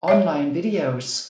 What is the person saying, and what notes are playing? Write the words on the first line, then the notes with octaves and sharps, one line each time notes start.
Online videos!
C#5 E5